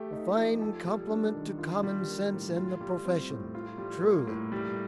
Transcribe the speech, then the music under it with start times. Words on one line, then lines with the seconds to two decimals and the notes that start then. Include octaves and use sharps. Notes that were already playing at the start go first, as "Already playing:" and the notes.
A fine compliment to common sense and the profession, truly!
Already playing: A3 G4
0.13 D#4
0.36 F3
0.62 A4
0.85 G3
1.10 D4
1.34 D#3
1.59 F4
1.83 G3
2.08 A#3
2.32 A2
2.57 F4
2.81 G3
3.05 C4
3.30 A2
3.55 F4
3.78 G3
4.03 A#3
4.27 A2
4.52 G3